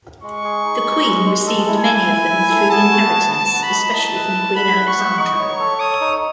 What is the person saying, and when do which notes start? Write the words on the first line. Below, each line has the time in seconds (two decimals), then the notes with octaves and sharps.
The Queen received many of them through inheritance, especially from Queen Alexandra.
0.23 G#3 C#6
0.44 G#4
0.64 D#4
0.85 G#3
1.05 G#3
1.26 G#3
1.47 A4
1.68 E4
1.78 G#5
1.88 E4
2.09 E4
2.29 E4
2.50 A4
2.70 B3 A5
2.91 F#4
3.12 B3
3.33 B3 A5
3.53 F#4
3.63 B5
3.74 D#4
3.94 E4 A5
4.15 B4
4.35 E4
4.56 F#5 B5
4.76 F#5
4.87 C#6
4.97 B3
5.18 D#4 C#6
5.39 C#5
5.59 A4
5.80 C#5 D#6
6.01 D#4